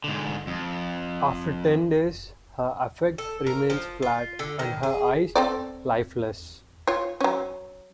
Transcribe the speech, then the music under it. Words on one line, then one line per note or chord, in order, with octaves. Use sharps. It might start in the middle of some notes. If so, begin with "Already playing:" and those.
After ten days, her affect remains flat, and her eyes lifeless.
G#2 D3
F2
A4
A#4
F3
F4
D3
D#3
G#4
C4 A4 D5
F4 C#5
F#3 C#4